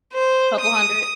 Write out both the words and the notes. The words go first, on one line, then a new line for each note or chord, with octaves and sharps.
couple hundred.
C5
D#6